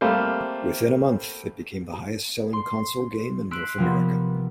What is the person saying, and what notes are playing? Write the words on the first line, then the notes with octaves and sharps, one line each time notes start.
Within a month, it became the highest selling console game in North America.
G3 A3 A#3 C4 C5 F5
C6
C6 E6 F#6 B6 D7
C3 F3 A#3 B3